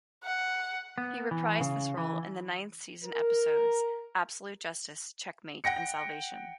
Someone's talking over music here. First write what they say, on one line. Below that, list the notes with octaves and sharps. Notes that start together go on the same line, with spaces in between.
He reprised this role in the ninth-season episodes "Absolute Justice", "Checkmate", and "Salvation".
F#5
B3
E3
C#3
E3
A#4
F#5 G5 A#6 C#7